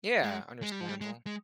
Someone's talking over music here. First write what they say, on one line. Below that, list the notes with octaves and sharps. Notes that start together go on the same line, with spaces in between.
Yeah, understandable.
G#3
G#3
G3
F3
G3
G#3
G#3